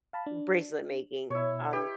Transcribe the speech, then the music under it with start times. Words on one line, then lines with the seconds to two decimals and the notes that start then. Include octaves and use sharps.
bracelet making. Um,
0.13 F5 A5 B5
0.26 D4
1.30 B2 E4 C#5
1.73 G4 B4